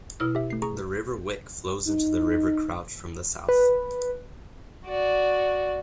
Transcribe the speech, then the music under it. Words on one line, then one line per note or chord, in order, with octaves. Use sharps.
The River Wick flows into the River Crouch from the south.
B2 E4 F6
G4 E5
A3 C7
G#4 A#5 C#6
D#4
B4
F#4 D5